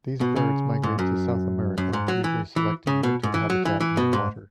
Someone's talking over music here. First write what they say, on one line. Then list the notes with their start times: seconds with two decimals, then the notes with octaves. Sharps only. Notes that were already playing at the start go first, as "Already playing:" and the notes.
These birds migrate to South America, usually selecting winter habitat near water.
0.21 B2
0.36 C#3
0.83 G#2
0.99 F#2
1.78 F#2
1.93 G#2
2.08 F#3
2.24 E3
2.56 E3
2.87 C#3
3.03 B2
3.23 G#2
3.34 E3
3.50 F#3
3.65 E3
3.80 E3
3.97 B2
4.13 G#2